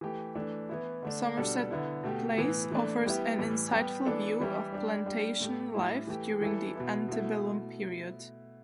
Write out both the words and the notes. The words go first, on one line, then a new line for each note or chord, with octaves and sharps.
Somerset Place offers an insightful view of plantation life during the antebellum period.
E3 A3 G4
E3 A3 D4
E3 B3 E4
D3 A3 D4
B2 G3 D4 A4
D3 B3 E4
B2 A3 G4
A2 E3 B3
E3 A3 D4
G3 B3 E4 G4
A2 E3 G3
G3 B3 G4
E3 B3 D4 A4
E3 G3 E4 G4
G3 D4 G4
G3 D4 G4
A2 A3 G4
A2 G3 E4
E3 A3 G4
E3 G3 E4 A4
B2 B3 E4
B2 A3 E4